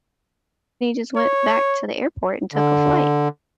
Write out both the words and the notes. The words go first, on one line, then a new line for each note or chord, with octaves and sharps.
he just went back to the airport and took a flight,
C#5
D3